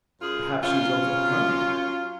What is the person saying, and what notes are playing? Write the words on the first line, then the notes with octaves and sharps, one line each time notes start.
"Perhaps she has altered her mind."
F#2 F4 G#4
F#2
F#2 C#4 F4
F#3
C#3
F#3
F#3
F#2
F#3